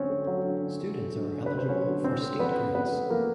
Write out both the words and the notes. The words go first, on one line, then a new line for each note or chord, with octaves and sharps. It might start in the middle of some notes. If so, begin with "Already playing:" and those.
Students are eligible for state grants.
Already playing: D3 F#3 C4 C#4 C5 C#5
A3
F#3
D3
C#4
A3
F#3
D3
C#4
A3 B4
C5
F#3 C#4 C#5
D3
C4 C#4 C5
A3
F3 B3 B4
C#3
B3 C4 B4
A3
F3 A#3 A#4